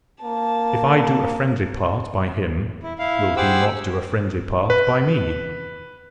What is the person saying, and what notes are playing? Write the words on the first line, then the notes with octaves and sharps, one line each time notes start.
If I do a friendly part by him, will he not do a friendly part by me?
A#3 A5
E4
E4 F5
G4 G#4 C5 F#5 D6 E6
B4